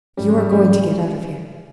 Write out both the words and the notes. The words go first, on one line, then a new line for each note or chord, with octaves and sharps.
"You are going to get out of here."
G#2 F3 G3 A3 C#4
G#3
G3
G#2 F3 G3 A3 C#4